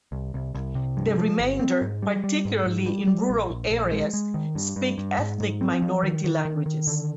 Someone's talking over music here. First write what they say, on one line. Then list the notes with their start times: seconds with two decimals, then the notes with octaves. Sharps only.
The remainder, particularly in rural areas, speak ethnic minority languages.
0.12 C2
0.34 C2
0.55 C2
0.75 C3
0.97 G2
1.18 F3
1.39 G1
1.60 C4
1.81 G#2
2.02 G3
2.24 G3
2.45 G#2
2.66 G#2
2.86 G3
3.07 G3
3.29 A#1
3.50 A#1
3.71 A#1
3.91 G#3
4.14 G#3
4.34 D#3
4.55 G2
4.76 G2
4.98 G2
5.19 G#2
5.40 G#2
5.61 C4
5.82 F3
6.03 D#3
6.24 D#3
6.45 D#3
6.66 D#3
6.87 D3